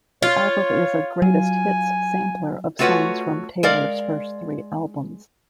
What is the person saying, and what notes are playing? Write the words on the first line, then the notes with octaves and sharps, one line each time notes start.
The album is a "greatest hits" sampler of songs from Taylor's first three albums.
F4 C#5
F#3 G#5
A3 F4 F#4 B4 C#5 F#5
G#3 A#4 D5 F5